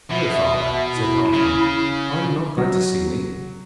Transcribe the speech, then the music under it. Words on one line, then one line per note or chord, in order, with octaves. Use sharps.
'Dear father,' said Halfman, 'are you not glad to see me?
B2 E5
E4
C#3
F#3